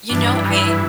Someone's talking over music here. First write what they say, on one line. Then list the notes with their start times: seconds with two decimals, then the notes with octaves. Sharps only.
You know, I
0.09 G2 E3 D4
0.55 E4